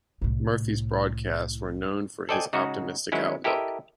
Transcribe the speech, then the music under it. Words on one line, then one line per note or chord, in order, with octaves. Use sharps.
Murphy's broadcasts were known for his optimistic outlook.
C2 A2
A4 C5 D5 D#5 G5 G#5
C#3 G#3 D#4 F#4
D#3 F#3 G#3 C#4 E4
E4 G4 A4 A#4 D#5 E5